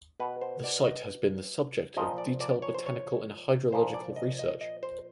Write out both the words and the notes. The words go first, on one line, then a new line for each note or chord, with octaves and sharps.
The site has been the subject of detailed botanical and hydrological research.
B2 B4
C5
D5
D#5
A#2 F3 D#5
D5
D5
C#5
C5
C#5
A#2 F3 C5
D5
D#5
D#5
D#5
C5